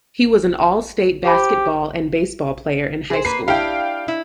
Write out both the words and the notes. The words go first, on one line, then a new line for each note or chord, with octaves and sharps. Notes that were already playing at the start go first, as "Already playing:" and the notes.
He was an all-state basketball and baseball player in high school.
G4 C5 B5
G#4 C5
A#3 B4 C7
D4 E4 G4 F5 G5
E4